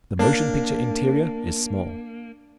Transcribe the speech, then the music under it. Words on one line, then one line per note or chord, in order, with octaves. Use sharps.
The motion-picture interior is small.
A#3 D4